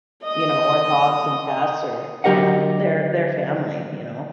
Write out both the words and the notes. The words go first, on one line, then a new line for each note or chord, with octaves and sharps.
you know, our dogs and cats are, you know, they're they're family, you know?
D#5 D#6
D3 F#3 G4 A#4 D#5 F#5